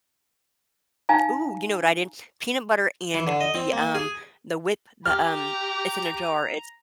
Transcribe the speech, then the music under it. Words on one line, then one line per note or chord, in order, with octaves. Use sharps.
Ooh, you know what I did? Peanut butter and the, um, the whip, the, um it's in a jar. It's
D#4 F5 G#5 A#5
E3
D3
D#5
C4
A#3
G#4
G4 A#5 F6